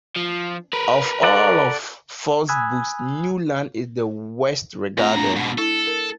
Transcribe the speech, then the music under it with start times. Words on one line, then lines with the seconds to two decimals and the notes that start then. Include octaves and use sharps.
Of all of Fort's books, "New Lands" is the worst-regarded.
0.16 F3
0.73 A#4 B4
1.23 A4 D5 F#5
2.49 G#5 B5 D#6 E6 F#6 G#6
4.98 E2 A3 C4 F4 A#5
5.16 D4
5.36 G#2 B2
5.58 E4 A4
5.87 A#4